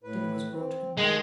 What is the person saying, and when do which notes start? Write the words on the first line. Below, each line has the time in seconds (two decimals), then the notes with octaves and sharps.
Dinner was brought him.
0.03 A2 B4
0.52 C4
0.97 D#3 G#3 G5